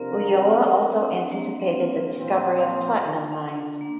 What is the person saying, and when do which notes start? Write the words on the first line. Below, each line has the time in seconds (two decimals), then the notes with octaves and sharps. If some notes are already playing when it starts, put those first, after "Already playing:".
Ulloa also anticipated the discovery of platinum mines.
Already playing: C3 F3 C4 D4 A#4
0.97 D4
1.02 C4
1.31 A#3
1.60 C4
1.80 F4
1.98 F4
2.17 A#2 F3 C4
3.32 D4
3.60 D4
3.81 A#3